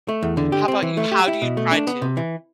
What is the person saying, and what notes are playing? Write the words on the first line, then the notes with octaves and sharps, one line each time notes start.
How 'bout you? How do you try to,
A3
E2
D3
G4
C4
E3
A3
G4
E4
B2
A3
D4
B3
C3
E3